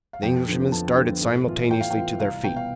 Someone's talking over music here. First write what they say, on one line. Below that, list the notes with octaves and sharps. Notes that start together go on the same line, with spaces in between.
The Englishmen started simultaneously to their feet.
F5
F2 G5
D3 F3 B3
F2 A5
D3 F3 B3
A2
E3 B3 F4
A2 G5
F5
G5
E3 B3 F4
C2 F5
B2 B3 G5
F5